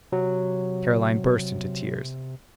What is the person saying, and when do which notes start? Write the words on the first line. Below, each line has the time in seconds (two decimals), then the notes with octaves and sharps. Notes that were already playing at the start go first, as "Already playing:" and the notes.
Caroline burst into tears.
0.12 C3 F#3